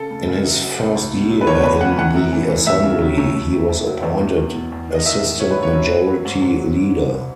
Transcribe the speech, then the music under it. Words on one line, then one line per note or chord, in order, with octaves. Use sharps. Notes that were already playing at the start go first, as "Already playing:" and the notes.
In his first year in the Assembly, he was appointed Assistant Majority Leader.
Already playing: C#3 A4
C#3
C#3
F#2
F#3
C#2
C#2
B2
F#3
B4
E2 C#5
E2 B4
C#3 F#5
E3 F#5
F#2
E3
E3
D#2 E5
C#3
F#3
D#2
D#2
D#2
D#2
F#3
E2
E2
E2
B2
E2
D#3
D#5
D#3 E5
D#3
F#2 C#5
B4
F#2
C#5
F#2
F#2
F#3
G#2
G#2
F#3